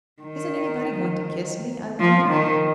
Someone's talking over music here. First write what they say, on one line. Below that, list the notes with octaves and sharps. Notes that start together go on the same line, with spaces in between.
"Isn't anybody going to kiss me, I wonder!"
D#3
F3
D#3